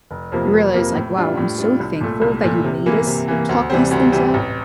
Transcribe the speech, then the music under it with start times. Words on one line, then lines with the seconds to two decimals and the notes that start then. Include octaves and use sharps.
you realize like, "Wow, I'm so thankful that you made us talk these things out.
0.11 F1
0.32 F2 C3 F3 A#3
0.53 F1
0.74 F2 C3 F3 A#3
0.95 A2
1.17 G3 D4 F4
1.37 A2
1.59 G3 D4 F4
1.80 C2
2.01 A#2 A3
2.22 C2
2.44 A#2 A3
2.64 C3
2.86 E3 A#3
3.07 C3
3.28 E3 A#3
3.49 D2
3.70 C3 E3 G3 C4
3.91 D2
4.12 C3 E3 G3 C4
4.34 A1